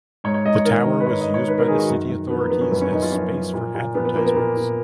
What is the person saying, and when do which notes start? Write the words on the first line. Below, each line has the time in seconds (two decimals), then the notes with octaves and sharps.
The tower was used by the city authorities as space for advertisements.
0.24 G#2 C#5
0.34 C#5
0.45 G#2 D#5
0.55 C#5
0.65 D#3 A#4
0.86 D#3
1.00 B4
1.07 G#2 C#5
1.21 D#5
1.28 G#2
1.34 C#5
1.47 D#3 B4
1.58 A#4
1.68 D#3 G#4
1.79 F#4
1.89 F#2
2.09 F#2
2.30 F3 B3
2.40 A#3
2.50 F3 B3
2.61 C#4
2.71 F#2 B3
2.81 C#4
2.92 F#2 D#4
3.02 F4
3.12 F3 C#4
3.33 F3
3.54 A#2
3.75 A#2
3.95 F3 B3
4.05 B3
4.15 F3 A#3
4.25 B3
4.36 A#2 B3
4.57 A#2